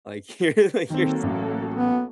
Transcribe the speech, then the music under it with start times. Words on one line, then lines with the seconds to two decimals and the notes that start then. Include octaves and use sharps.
Like, you're, like, you're s
0.90 D#3 F#3 A#3 C4 A4
1.23 A1
1.74 B3